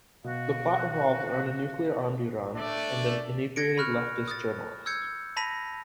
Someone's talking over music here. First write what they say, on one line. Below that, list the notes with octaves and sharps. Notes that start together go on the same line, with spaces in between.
The plot revolves around a nuclear-armed Iran and an inebriated leftist journalist.
B2 F#4 F5
A3 D4 D5
G#6 A#6 C#7 D7
B5 C#6 F6 F#6 F7
D#6 A6
E6 G6 G#6 C#7
A5 B5 A#6 B6 D#7 F7